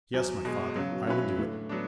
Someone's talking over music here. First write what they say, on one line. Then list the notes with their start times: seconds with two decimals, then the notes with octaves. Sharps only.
"Yes, my father, I will do it."
0.13 E2 F#3
0.45 B2 G#3
0.76 C#3 F#3
0.91 B2
1.07 B2 C#4 E4 B4
1.23 A2
1.38 A2 D3
1.69 F#3 B3 D4